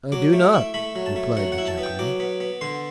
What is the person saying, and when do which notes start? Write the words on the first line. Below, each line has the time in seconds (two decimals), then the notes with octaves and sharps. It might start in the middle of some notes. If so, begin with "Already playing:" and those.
"I do not!" replied the gentleman.
0.12 F#3 D6
0.33 A3
0.54 E4
0.74 A3 B5
0.96 F#3
1.06 A5
1.16 A3
1.37 F#3 F#5
1.52 F#5
1.58 E4
1.68 A5
1.78 B3
1.83 G5
1.99 F#3 D6
2.20 B3
2.40 B3
2.61 D3 C6